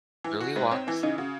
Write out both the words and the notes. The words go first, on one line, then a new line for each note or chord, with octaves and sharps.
Early walks.
E3
F#4
G#2 C5
C4 C#5
E3 E4
C#3 D#4
C#3 F#4